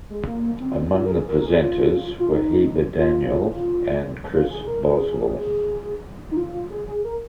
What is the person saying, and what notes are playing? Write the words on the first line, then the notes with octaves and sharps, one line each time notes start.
Among the presenters were Hiba Daniel and Kris Boswell.
G#3
A#3
C4
F4
A#4
G#4
A#4
A#4
G#4
F4
F4
D#4
F4
F4
G#4
A#4
G#4
D#4
F4
F4
G#4
G#4
A#4